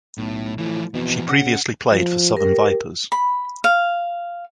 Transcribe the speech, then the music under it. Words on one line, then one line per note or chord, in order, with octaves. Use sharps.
She previously played for Southern Vipers.
B1 A2
A2 E3 F3
F2 B2 E3
C#3 F#5
F3
G4 A#4
B5
F5